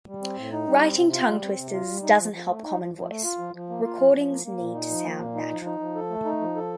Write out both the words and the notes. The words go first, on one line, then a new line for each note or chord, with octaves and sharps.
Writing tongue twisters doesn't help Common Voice. Recordings need to sound natural.
G3
C4
A2
D#4
G3
C4
C3
F4
G3
C4
C3
F4
G3
D#4
F3
F3
A3
D#4
F3
F3
A3
F4
F3
F3
A#3
F4
F3
F3
A#3
A#3
A#2
D#4
F3
A#3
A#2
D#4
F3
D#4
F3
A4
A3
D#4
F3
A4